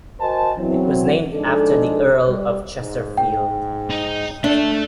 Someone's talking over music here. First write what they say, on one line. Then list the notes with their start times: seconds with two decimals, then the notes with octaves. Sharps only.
It was named after the Earl of Chesterfield.
0.20 F#4 A#4 C5 D#5 G#5 A5
0.58 E2 E3 F#3 C4
1.33 F3 G#3 D4 D#4 A4
2.28 G3
2.78 G#2
3.18 G5
3.90 D#4 D#5
4.44 D4 A4 E5